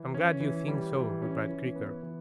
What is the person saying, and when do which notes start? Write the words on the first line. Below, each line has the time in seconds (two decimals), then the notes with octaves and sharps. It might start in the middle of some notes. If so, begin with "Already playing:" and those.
"I'm glad you think so," replied Creaker.
Already playing: E3
0.14 C#4
0.40 E3
0.68 G3
0.95 E3
1.22 C#4
1.49 E3
1.76 B3
2.03 E3